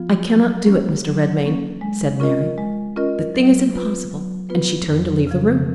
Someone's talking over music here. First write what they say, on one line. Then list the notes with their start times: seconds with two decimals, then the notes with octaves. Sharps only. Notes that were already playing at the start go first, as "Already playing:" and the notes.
"I can not do it, Mr. Redmain," said Mary; "the thing is impossible." And she turned to leave the room.
Already playing: F3 B3 F4
0.28 F#3
0.66 A#3 C#4
1.04 F#3
1.43 A#3 C#4
1.81 G#3
2.20 C#4 F4 A#4 D#5
2.58 G#3
2.96 C#4 F4 A#4 D#5
3.35 F#3
3.73 B3 F4 B4
4.12 F#3
4.50 B3 F4 B4
4.88 F2
5.27 C#3 F3